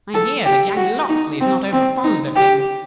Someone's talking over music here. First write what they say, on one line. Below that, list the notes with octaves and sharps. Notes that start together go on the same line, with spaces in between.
I hear that young Locksley is not over-fond of him.
A4
G4
F#4
D#4
C4
C4
D#4
G4